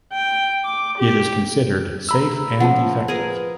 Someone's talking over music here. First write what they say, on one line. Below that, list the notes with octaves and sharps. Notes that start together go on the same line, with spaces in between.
It is considered safe and effective.
G5
D6
G4
D2 A3 G#4 A#5 B5 E6
C#3 F3 F#5 A5
G#4 A#4 B4